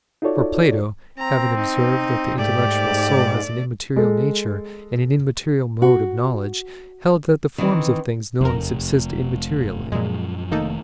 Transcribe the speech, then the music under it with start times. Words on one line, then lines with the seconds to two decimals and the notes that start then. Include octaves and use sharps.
For Plato, having observed that the intellectual soul has an immaterial nature, and an immaterial mode of knowledge, held that the forms of things known subsist immaterially.
0.22 D#4 F4 F#4 A4 C#5 D5
1.18 C4 A#5
1.58 D#4
2.38 G#2 A3 G4 D5
3.96 G#3 A4
5.82 F#4
7.58 D#3 E3 C4
8.41 F1 E2 A#4
9.92 F#2 A#2 F3 G#3
10.52 F1 D#3 A3 A#3 D#4 A4